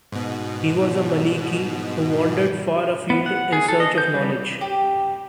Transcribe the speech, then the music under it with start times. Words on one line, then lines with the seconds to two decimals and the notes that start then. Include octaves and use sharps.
He was a Maliki who wandered far afield in search of knowledge.
0.12 G#2 B2
3.10 B3
3.26 F#5
3.53 G#4
3.68 A4
3.80 D#5
3.98 G6
4.14 G3
4.61 G4